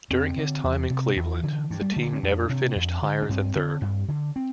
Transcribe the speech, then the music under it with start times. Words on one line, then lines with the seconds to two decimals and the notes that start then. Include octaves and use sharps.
During his time in Cleveland, the team never finished higher than third.
0.10 F2 C4
0.38 D3
0.64 E2
0.90 C3
1.16 E2 E3
1.43 D3
1.70 G2
1.81 G3
1.92 D3 A3
2.02 A#3
2.13 C4
2.23 F2 D4
2.49 C3
2.76 F2
3.02 D3
3.22 D4
3.29 G2 C4
3.56 D3
3.82 G2
4.08 D3
4.36 C4